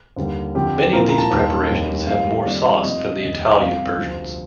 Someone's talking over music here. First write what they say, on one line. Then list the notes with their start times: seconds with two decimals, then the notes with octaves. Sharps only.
Many of these preparations have more sauce than the Italian versions.
0.16 D#2 D3 G3
0.55 F2 D3 F3 G4
0.93 C2 A#2 F3 A#4
1.09 A#5
1.18 A5
1.31 D#2 D#3 G3
1.69 F1 D#2 D#3 G3
2.07 F1 D#2 D#3 G3 F5
2.45 F2 D#3 G3 D5
2.83 F1 F2 C3 F3 D#5
3.22 F1 D#2 D#3 G3 D#5
3.59 G1 F2 C3 F5
3.98 D2 C3 F3